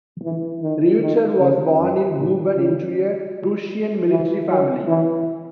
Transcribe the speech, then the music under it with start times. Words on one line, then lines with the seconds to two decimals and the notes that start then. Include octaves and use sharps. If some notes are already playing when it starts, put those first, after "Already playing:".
Reuter was born in Guben into a Prussian military family.
0.23 E3
0.62 D#3
1.01 D#3
1.39 C#3
1.77 F#2
2.17 A#2
2.55 C#3
4.10 E3
4.48 F#3
4.87 E3